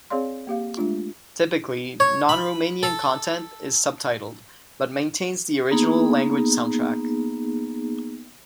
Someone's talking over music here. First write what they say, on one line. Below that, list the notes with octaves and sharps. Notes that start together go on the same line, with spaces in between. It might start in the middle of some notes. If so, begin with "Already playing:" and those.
Typically, non-Romanian content is subtitled, but maintains the original language soundtrack.
C4 G#4 C#5 D5 F5 C6
A#3 G4 F5
G#3 A3 D4 F4
C#5
B5
A4
A#3 B3 D#4 G#4